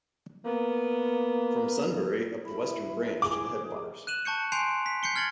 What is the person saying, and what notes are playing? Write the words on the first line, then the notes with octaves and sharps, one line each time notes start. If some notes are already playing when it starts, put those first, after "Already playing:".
From Sunbury up the western branch to the headwaters.
A#3 B3
E4 B5
G#4 D6
F#6 D#7 E7 F#7
A5 C#6 G6 C#7
G#5 C6 G6 C7 D7 F7
B6
G6 C7 C#7 G7
F6 G#6 A6 F#7 G7